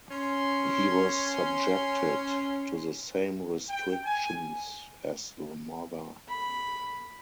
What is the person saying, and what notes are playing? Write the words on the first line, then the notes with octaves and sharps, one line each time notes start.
He was subjected to the same restrictions as the mother.
C#4 C6
G5
G#5
B5